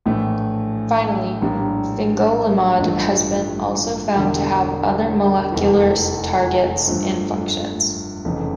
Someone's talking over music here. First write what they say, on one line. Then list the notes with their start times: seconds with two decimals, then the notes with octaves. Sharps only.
Finally, fingolimod has been also found to have other molecular targets and functions.
0.06 A#1 A2 E3 A3
1.41 A#1 A2 G3 A#3 D4
2.78 A1 G2 F3 A3
4.15 E1 E2 D3
5.52 F1 E2 E3
6.87 G2 F3 A3
8.25 F1 F2 C#3 E3